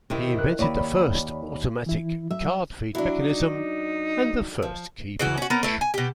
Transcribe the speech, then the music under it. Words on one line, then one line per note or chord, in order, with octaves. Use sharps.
He invented the first automatic card-feed mechanism and the first keypunch.
C3 D#3 E4
A#4 F#6
D#2 C#5 D5 B5
E3 E4
F#3 E5
F#3 D4 E4
D#4
F3
C#3 E3 F#4
C#4 F#4
B3 C#4 A#4
A3 E4 B4
G#5
B2 G4